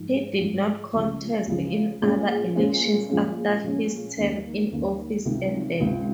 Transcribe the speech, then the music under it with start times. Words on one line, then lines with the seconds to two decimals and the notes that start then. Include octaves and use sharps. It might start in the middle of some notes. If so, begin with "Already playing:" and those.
He did not contest in other elections after his term in office ended.
Already playing: G#2 F3 G#3
0.39 G#2 F3 G#3
0.94 C#2 C#3 F3
1.47 C#2 C#3 F3
2.02 A#2 G#3 C#4
2.55 A#2 G#3 C#4
3.09 A#2 F3 G#3 C#4
3.63 A#2 F3 G#3 C#4
4.17 D#2 D#3 A#3 C#4
4.71 D#2 D#3 A#3 C#4
5.25 C#2 C3 D#3
5.80 C#2 C3 D#3